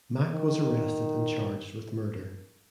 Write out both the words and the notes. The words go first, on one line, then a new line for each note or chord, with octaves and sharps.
Mack was arrested and charged with murder.
D#3